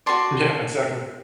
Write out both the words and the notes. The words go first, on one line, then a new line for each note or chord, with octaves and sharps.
Yeah, exactly.
F#4 B4 D5 A5 C6